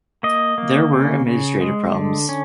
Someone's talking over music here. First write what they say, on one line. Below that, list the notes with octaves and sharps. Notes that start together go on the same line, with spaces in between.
There were administrative problems.
A#3 D#5
A#3
C#3
C#3
G#3
D3
C#4